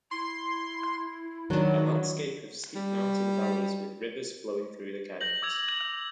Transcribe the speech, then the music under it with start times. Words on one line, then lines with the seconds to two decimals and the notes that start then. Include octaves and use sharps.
A Landscape of steep mountain valleys with rivers flowing through the canyons.
0.11 E4 C6
1.50 D#3 F#3 D4
2.75 G3
5.21 G6 A#6 F#7
5.42 D6 E6 G#6 F7